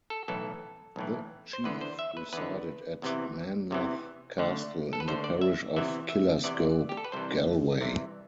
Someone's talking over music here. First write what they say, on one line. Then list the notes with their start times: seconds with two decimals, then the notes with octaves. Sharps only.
The chief resided at Menlough Castle, in the parish of Killascobe, Galway.
0.10 A4
0.28 B1 A2 E3 A4
0.96 B1 A2 E3
1.53 C5
1.64 E2 D3 B4
1.81 C5
1.99 E5
2.17 B4
2.33 E2 D3 B4
3.02 E2 C3 E3
3.71 E2 C3 E3
4.38 D2 D3
4.93 A4
5.00 B4
5.08 D2 D3 C5
5.24 D5
5.41 E5
5.76 E2 C3 E3 E5
6.10 E5
6.44 E2 C3 E3 D5
6.89 G4
6.97 A4
7.05 B4
7.12 C2 C3 E3 C5
7.81 C2 C3 E3